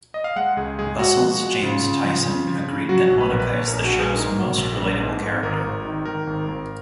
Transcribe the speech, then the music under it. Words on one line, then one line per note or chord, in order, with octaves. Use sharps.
Bustle's James Tison agreed that Monica is the show's most relatable character.
D#5
F5
G#3 F#5
C#2 G#4
G#3 G#4
G#3 F#4
F3
F#4
G#3
C#3 F4
C#3
F3
C#3
F3
C#3
F#3 F#4
A#1
B4
A#1 A#4
B4
A#1 C#5
A#4
A#1
F#4
A#1
G#4
G#2 A#4
F#3
A#1
A#1
G#2
G#2
G#1 A#4
G#1
D#3
D#3 A#4
G#1
G#1